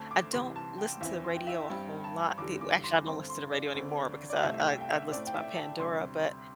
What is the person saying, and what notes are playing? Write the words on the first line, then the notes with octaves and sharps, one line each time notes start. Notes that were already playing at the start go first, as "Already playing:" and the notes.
I don't listen to the radio a whole lot. The we actually, I don't listen to the radio anymore because I I I'd listen to my Pandora, but
Already playing: D2 D3 A3 C4 A5
D6
C2 C3 E3 C6
A5
G5
E2 E3 C4 E5
C6
G5
E5
G2 G3 C4 G5
A5
E2 D3 G3 D6
D6
C6
G2 D3 C4 C6
C6
D5
D2 D3 C4
D5
C2 C3 A3 E5
G5
G5
E5
A2 A3 C4 D5
G5
E5
A5
D2 C3 G3 C6